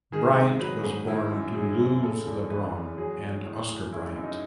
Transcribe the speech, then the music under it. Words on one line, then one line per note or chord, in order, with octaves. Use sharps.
Bryant was born to Luz Lebron and Oscar Bryant.
D#3 G#4
G#2
F#3 B4
G#2
D#3 E4
F#2
F#3 G#4
F#2
C#3 A4
E2
E3 B4
E2
F#3 G#4
F#3
A2
A2
C#3 E4
F#2
D#4